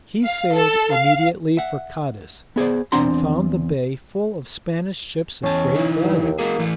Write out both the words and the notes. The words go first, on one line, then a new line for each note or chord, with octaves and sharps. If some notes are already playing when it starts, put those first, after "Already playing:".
He sailed immediately for Cadiz, and found the bay full of Spanish ships of great value.
F5
A4
F5
E5 F#5
B3 G#4 C5 D5
E2 C4 D4 F#5 A#5 C6
E2 C#4 A5
E3 D#4 E4
G2
D#2
G#3 A#3 F#4 G#4
A2 E3 A3